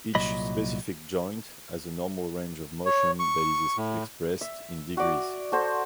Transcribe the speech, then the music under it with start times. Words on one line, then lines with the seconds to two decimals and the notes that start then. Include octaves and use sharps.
Each specific joint has a normal range of motion that is expressed in degrees.
0.15 C2 A#2 F#3 D#5 B5
2.86 C#5
3.19 C#6
3.77 A2
4.41 E5
4.97 F#4 D5
5.52 F#4 A4 C5